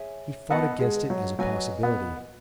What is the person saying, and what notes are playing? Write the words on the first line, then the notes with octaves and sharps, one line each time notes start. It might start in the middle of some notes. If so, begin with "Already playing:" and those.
He fought against it as a possibility.
Already playing: G#4 C#5 E5 G#5
B3 A4 D#5 F#5 A5
G#3
F#3
F#3 B4 D#5 G#5
B3